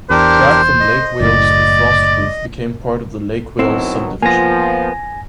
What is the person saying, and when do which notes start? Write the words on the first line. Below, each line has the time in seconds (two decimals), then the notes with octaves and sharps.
Track from Lake Wales to Frostproof became part of the Lake Wales Subdivision.
0.10 E2 D4 G4 A#4 C5
0.80 D#5
1.20 F#1 A2 D5
3.59 B2 D#3 F#3 C4 E4
4.23 F3 A#3 B3 F4 G#5 A#6